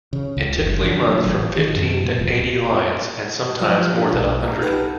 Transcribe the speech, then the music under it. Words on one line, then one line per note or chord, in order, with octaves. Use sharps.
It typically runs from fifteen to eighty lines, and sometimes more than a hundred.
C#3
C#2
F#1
D3
F#3
A1
D#3
F#2
A#2
D1
F3 F#3 D5
D4 G4
B1 F5
D5 F5 A#5
D#4 G4 A4 B4 F#5 G5